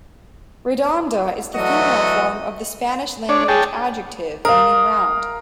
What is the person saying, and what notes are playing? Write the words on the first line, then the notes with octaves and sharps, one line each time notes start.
"Redonda" is the female form of the Spanish language adjective meaning "round".
E3 F#3 A3 D4 F#4 D#5
D4 C#5 D5
G#4 C#5 G5 A5
A#4 F5 D#6